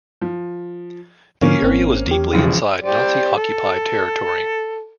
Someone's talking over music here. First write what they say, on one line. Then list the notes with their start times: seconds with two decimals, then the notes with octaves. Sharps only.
The area was deeply inside Nazi-occupied territory.
0.21 F3
1.42 G#2 D3 F3 A#3 C#4
1.62 G#1 C4
2.07 E2 G4
2.33 E1 A#1 C#3
2.84 G4 C5 D5
3.36 A4